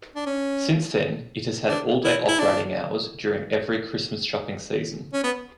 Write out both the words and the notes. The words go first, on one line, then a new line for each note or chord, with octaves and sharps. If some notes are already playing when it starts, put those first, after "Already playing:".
Since then, it has had all-day operating hours during every Christmas shopping season.
D4
C#4
D4
E4
E4
D4
C#4
B3